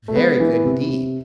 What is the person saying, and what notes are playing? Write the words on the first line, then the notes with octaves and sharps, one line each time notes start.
"Very good indeed."
A3
G#3 B3
E3
C3
C3